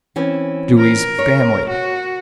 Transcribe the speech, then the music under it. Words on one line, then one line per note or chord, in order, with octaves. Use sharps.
Dewey's family.
E3 C4 C#4
A#4
C#5
F#4